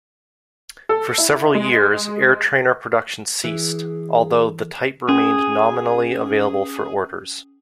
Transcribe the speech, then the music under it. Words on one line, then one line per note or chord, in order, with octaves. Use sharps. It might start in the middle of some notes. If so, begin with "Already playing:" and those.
For several years Airtrainer production ceased, although the type remained nominally available for orders.
A4
E4
G#3
E3 G#4
C#4 G#4